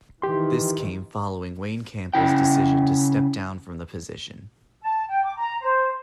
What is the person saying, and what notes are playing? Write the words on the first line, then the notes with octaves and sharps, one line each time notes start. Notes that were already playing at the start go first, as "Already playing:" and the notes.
This came following Wayne Campbell's decision to step down from the position.
D#3 E3 G4 C6
C#3 E4 G5
A5
G5
D6
A#5
C5